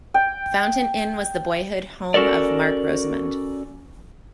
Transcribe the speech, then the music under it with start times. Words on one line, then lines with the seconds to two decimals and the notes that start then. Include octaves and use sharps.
Fountain Inn was the boyhood home of Marc Rosamond.
0.14 G5
2.14 C#4 F#4 A4 A#4 D5